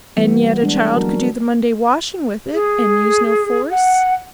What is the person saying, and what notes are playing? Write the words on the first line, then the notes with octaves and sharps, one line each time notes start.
"And yet a child could do the Monday washing with it and use no force."
E3 G3 B3
G#3 D4
F#3 A#3 F#4 A#4
G#4
F#5